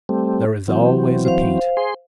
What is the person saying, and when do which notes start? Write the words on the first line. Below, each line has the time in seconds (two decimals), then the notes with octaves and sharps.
There is always a Pete.
0.09 G3 A3 C4
0.68 E3 F#3 C4
1.25 C5 F5
1.77 G#4 C6